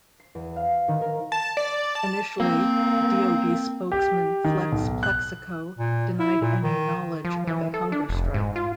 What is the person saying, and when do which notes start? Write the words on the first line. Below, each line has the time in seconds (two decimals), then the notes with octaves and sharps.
Initially DoD spokesman Flex Plexico denied any knowledge of a hunger strike.
0.20 C7
0.35 E2
0.56 F5
0.88 D#3
1.01 A#4
1.32 A5
1.57 D5
1.95 A5
2.40 A#3 C4
3.92 G4
4.44 D#3
4.72 B1
5.03 F#6
5.78 A#2
6.19 E4
6.41 A#2
6.63 D#3
7.25 F3
7.47 E3
7.74 A4
7.92 D4
8.09 F1
8.34 G#2
8.56 F4